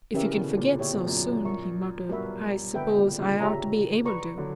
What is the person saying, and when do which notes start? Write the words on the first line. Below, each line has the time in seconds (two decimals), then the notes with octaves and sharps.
"If you can forget--so soon," he muttered, "I suppose I ought to be able to."
0.13 C#3 E3 C#4 G4 A#4 E5
0.35 B2 D3
0.57 A#2 C#3
0.79 A#2 G4 C#5 E5 G5
0.93 B2
1.07 F#2 A#2
1.45 A#4 E5 A#5 C#6
2.09 G2 B2 F#4 A#4 E5 B5
2.75 B2 D3 B4 E5 G5
2.97 A#2 C#3
3.19 A#2 C#3
3.40 G4 C#5 E5 A#5
4.05 B4 D5 A#5 C#6
4.38 D3 F#3